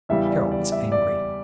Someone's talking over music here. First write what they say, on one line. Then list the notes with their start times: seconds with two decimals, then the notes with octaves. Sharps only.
Carol was angry.
0.09 E2 C#3 G3 E5
0.31 D5
0.52 D5
0.72 E5
0.92 D5